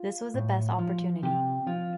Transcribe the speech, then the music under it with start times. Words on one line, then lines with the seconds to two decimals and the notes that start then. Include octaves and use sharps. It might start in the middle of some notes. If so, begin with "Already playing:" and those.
This was the best opportunity.
Already playing: F4
0.34 A2
0.79 F3
1.23 C3 G4
1.67 F3 F4